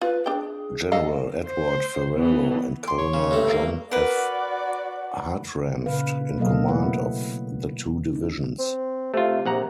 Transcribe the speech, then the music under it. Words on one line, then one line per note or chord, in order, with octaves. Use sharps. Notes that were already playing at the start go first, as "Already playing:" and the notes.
General Edward Ferrero and Colonel John F. Hartranft in command of the two divisions.
F4 B4
D4 G#4 G5
A4 D#5 F5
C5
E3 B3
C6 D6
C#5
C#3
G2 A3 A4
A#3
F#4 A#4 B4 D5 F#5
A#2 C#3 B4 F5
B2 F#3 A#3 A4 D#5 F5
A3 A#3 E4 B4 F#5
C#4 D#4
C4
C3 A3 F4
A#1 C3 F#5 A#5